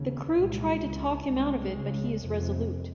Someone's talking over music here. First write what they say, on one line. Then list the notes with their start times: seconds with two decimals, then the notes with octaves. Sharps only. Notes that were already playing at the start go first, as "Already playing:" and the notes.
The crew try to talk him out of it but he is resolute.
Already playing: D#2 C#3
0.33 C2 A#2 G#3
0.81 C#2 C#3
1.28 C2 C3 G#3
1.76 C#2 C#3
2.23 F2 C3